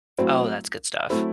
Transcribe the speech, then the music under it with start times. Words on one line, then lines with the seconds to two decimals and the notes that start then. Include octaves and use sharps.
Oh, that's good stuff.
0.18 F#3 A3 C4 E4
1.10 F#3 A3 C4 E4